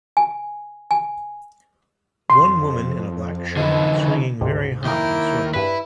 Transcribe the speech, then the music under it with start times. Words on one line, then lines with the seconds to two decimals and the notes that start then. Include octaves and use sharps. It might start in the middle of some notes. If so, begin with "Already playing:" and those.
One woman in a black shirt swinging very high on a swing.
0.17 G#5
0.91 G#5
2.30 F2 C6
3.57 D3 E3 D#5
4.41 D2 G#2 C3
4.85 D#2 E4 A#4 G5
5.53 G2 E4 B4